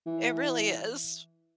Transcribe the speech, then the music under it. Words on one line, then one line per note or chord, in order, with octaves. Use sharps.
It really is.
E3